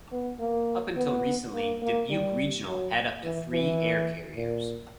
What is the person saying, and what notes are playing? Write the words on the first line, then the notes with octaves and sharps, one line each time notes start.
Up until recently, Dubuque Regional had up to three air carriers.
B3
A#3
B3
A#3
A#3
G3
F#3
E3
E3
A#2